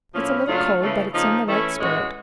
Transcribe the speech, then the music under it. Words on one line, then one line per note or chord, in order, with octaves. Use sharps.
It's a little cold, but it's in the right spirit.
A2 F3 A#3 C#4 E4
C#3 F#3 A3 D4 F4
C#3 E3 A3
C#3 F3 A#3 D#4
E3 A3 C#4 E4
A2 E3 G#3 C#4 F#4